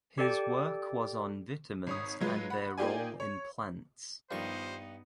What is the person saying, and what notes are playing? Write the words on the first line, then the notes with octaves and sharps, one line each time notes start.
His work was on vitamins and their role in plants.
G4 A4 D5 G5
G#1 C#5 D#6
F#3 G#3 F4 B4
F#5 B5
A#3 D#4 F4 G4 D5 G#5
C#5
G2 D#3 F3 G3 B3 D#4 C5 C#6